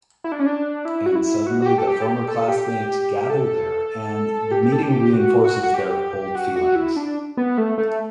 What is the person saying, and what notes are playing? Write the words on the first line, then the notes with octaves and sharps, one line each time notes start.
And suddenly the former classmates gather there and the meeting reinforces their old feelings.
E4
D4
C#4
D4
E4
F#4
E4
F#4
F#4
G4
A4
G4
A4
G4
A4
G4
G4
A4
G4
A4
G4
F#4
F#4
F#4
G4
F#4
F#4
E4
D4
B3
A3
A3